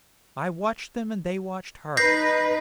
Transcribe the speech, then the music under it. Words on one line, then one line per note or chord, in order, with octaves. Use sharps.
I watched them and they watched her.
D#4 B4 G6 A#6 C7